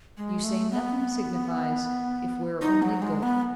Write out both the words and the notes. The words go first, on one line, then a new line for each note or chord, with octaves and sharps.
You say nothing signifies, if we are only good.
G#3
A3
B3
D#4
F#3
G#3
B3